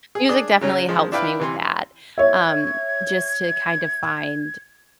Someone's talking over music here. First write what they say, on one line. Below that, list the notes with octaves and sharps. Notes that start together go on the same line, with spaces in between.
Music definitely helps me with that, um, just to kind of find,
G#4
D4 G#4 D#6
C#3 F#3 C#4
F3 G#3
D4 E4 B4 F5 G5 B5
C3 E3 C6
C#5 E5 G#6